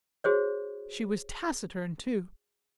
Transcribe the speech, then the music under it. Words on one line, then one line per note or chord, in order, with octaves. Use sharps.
She was taciturn, too.
F#4 G#4 C5 C#5